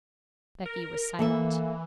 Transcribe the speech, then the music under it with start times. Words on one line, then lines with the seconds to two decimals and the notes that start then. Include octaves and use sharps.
Becky was silent.
0.66 A#4
1.19 E3 A#3 A4 E5